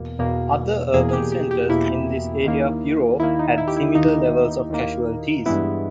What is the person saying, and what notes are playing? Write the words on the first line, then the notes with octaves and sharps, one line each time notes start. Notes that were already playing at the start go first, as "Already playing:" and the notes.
Other urban centers in this area of Europe had similar levels of casualties.
Already playing: E2 B2 A#3
E2 B2 A#3
E2 B2 A#3 G#4
G#4
G4
G4
G4
E2 B2 A#3 E4
D#2 D#3 A#3
D#2 D#3 A#3 E4
D#4
E4
G4
E4
D#2 D#3 A#3 D#4
D#2 D#3 A#3
G2 E3 G#3 B3 E4